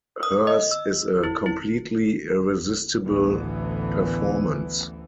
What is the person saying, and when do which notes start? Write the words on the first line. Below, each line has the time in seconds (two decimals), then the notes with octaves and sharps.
Hers is a completely irresistible performance.
0.23 D#6
0.47 D#5
0.71 E6
1.24 E4
1.46 E4
3.06 A1 D2 D3 E3 B3